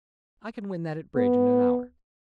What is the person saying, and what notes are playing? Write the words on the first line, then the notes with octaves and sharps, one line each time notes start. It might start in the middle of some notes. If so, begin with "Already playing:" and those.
"I can win that at bridge in an hour."
B3